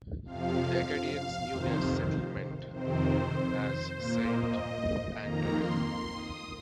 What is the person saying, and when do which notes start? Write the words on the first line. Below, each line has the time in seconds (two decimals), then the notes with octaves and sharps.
The Acadians knew their settlement as Saint Antoine.
0.25 F2 C3 F3 F5
1.17 F5
1.49 F2 C3 D#3 C5
2.72 F2 C3 D#3 C4 C5
3.96 A#2 A#3 C5
4.27 D#5
5.19 F2 D#3 A#3 A#5
5.50 C6
5.81 C6
6.12 D#6